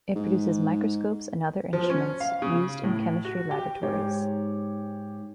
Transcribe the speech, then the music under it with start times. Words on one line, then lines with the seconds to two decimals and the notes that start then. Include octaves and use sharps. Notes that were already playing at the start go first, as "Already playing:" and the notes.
It produces microscopes and other instruments used in chemistry laboratories.
0.15 G#2
1.73 F3
1.90 C#4
2.20 F5
2.42 C#3
2.84 A2
3.25 F#4
3.51 G4
3.83 G#2 G4 C#5